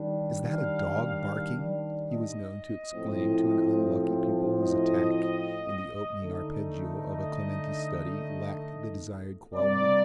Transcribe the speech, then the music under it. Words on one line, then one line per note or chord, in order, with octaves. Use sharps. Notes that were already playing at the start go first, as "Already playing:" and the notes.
"Is that a dog barking?" he was known to exclaim to an unlucky pupil whose attack in the opening arpeggio of a Clementi study lacked the desired quality.
Already playing: D#3 G3 D4
F5
D#5
A2 F3 C4
D#5
D3 A3 D#4
D#5
C3 G3 A#3 D4 D5